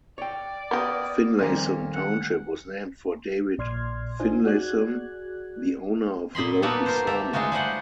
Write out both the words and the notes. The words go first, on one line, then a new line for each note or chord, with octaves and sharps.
Finlayson Township was named for David Finlayson, the owner of a local sawmill.
C#5 D5 G5
A#3 B3 G4 D#5
F2 A#2 D#3 G3
F#5
A#1 A#2 D5 C6 F6 G#6
D4 D#4 F4 C5 D#5 G#5
F#4 G#4 D5 F#6 G#6
A#2 D#5 B5 C6
G3 A#3 B3 D#4 F#4 A4
A#4 C5
A4 D5 E5 A#5
G#3 A3 D#4 F4 F#4
G3 C5 D#5 F#5